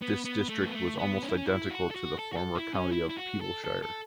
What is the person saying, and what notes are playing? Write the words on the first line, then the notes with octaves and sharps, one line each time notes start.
This district was almost identical to the former county of Peeblesshire.
B3
B3
A3
B3
A3
B3
C#4
E4
C#4
E4
F#4
A4
F#4
A4
F#4
A4
E4
C#4
E4
E4
F#4
A4
A4
A4